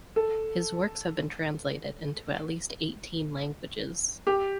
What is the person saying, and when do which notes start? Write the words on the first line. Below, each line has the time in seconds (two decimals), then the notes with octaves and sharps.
His works have been translated into at least eighteen languages.
0.16 A4
4.27 G4